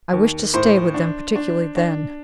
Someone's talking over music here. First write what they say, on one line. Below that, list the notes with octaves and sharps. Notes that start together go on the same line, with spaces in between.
I wish to stay with them particularly then.
D#2
A2 C5
D4
D4
D4